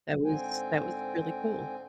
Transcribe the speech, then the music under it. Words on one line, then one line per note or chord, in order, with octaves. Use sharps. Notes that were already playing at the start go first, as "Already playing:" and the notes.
that was that was really cool.
G#2 D3 C4 G5 G#5